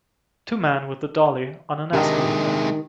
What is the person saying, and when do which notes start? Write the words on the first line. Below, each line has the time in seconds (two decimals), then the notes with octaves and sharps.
Two men with a dolly on an escalator.
1.93 C3 D#3 G#3 D4 G4